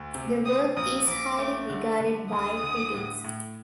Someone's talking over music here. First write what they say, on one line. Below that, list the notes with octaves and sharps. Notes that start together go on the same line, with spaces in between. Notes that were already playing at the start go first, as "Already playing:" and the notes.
The work is highly regarded by critics.
Already playing: D2
C3
C4 D#6
A#1 D#6
A#1 D6
A3
D3
D3
D2 D#6
D3
A2
A2